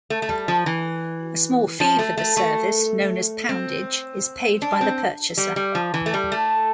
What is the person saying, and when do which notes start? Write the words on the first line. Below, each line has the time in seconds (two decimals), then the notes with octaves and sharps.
A small fee for the service, known as poundage, is paid by the purchaser.
0.10 A3
0.22 A3
0.29 G3
0.48 F3
0.66 E3
1.80 F3
1.99 A3
2.17 A3
2.37 A3
3.49 C4
4.62 D4
4.81 C4
5.37 G3
5.56 G3
5.75 F3
5.94 E3
6.06 A3
6.14 G3
6.32 A3